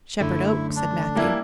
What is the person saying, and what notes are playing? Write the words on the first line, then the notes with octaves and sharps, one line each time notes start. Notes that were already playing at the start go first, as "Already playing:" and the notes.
"Shepherd Oak," said Matthew.
F#2 D3 A3 E4
D4
G3 A#3 E4